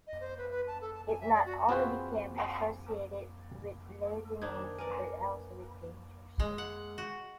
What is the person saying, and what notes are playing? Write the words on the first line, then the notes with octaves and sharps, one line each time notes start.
It not only became associated with laziness, but also with danger.
D#5
C5
B4
B4
A5
A4
A5
G#5
E5
D5
F#4
C4 F4 F#4 G#4 B4 C5
D#3 D4 D#4 C5 G#6
A#4 B4 D5 G#5
G#3
F#5
F#4